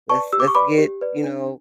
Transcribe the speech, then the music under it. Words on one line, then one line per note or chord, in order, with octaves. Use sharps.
let's let's get, you know,
B4 D5 A5 C#6
G4 E6
D6
C#6
B4 D5 B5 D6
G4
B4 D5
D4